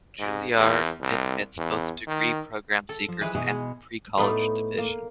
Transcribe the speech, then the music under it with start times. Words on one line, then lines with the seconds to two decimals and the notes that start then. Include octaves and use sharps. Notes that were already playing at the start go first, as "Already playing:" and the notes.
Juilliard admits both degree program seekers and pre-college division.
0.19 G#2
0.58 E2
1.01 C2
1.57 E2
2.07 D#3
2.89 A4
3.08 F3
3.21 E3 G#3 B4
3.35 B2 E3 G#4
3.50 G#3
4.18 A2 B3 D#4 D5
4.78 A#3